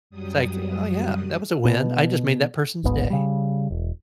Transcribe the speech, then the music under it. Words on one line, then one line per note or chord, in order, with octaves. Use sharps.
It's like, "Oh yeah, that was a win, I just made that person's day."
F#2 F#3 G3 D#6
B2
D1 G#1 G#2 B3
C#3 G3
E1